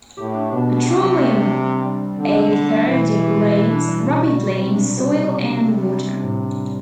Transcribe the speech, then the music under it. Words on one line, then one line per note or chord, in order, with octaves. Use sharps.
Petroleum ether degrades rapidly in soil and water.
A2 G4
D4
B2 D4
D4
C3 G4
F#3
A3
D4
G3
C4
G3
G3
D3 C4
G3
G3
G3
B2 E3
B2
G4
B2
B2
D4
G3
B2
D3 F#4
G3
C3 G3
D4
C3 G3
G3
G3
D4
D4
G3
G3
D4
A2
A2
G3